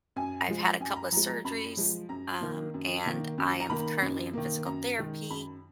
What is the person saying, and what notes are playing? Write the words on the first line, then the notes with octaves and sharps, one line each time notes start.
I've had a couple of surgeries, um, and I am currently in physical therapy
F#2 G#5
F3 G#3
F#2 G#5
B5
A#5
F3 G#3 A#5
A#5
F#2 B5
F3 G#3
F#2 A#5
D#3 A#3
F#2
D#3 A#3
F#2
A#5
D#3 A#3 B5
F#2
D#3 A#3
F#2 A#5
D#3 G#3
F#2 B5